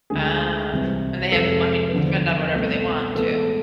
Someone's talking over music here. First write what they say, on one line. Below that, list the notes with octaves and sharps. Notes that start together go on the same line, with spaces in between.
Ah. And they have the money to spend on whatever they want, too.
D2 D3 G#3 G#4
C2 C3 E3
F2 C3 G#3 A4
E2 D3 F3 B3
C2 B2 A3 C4 A4
A2 E3 G#3 B3 A4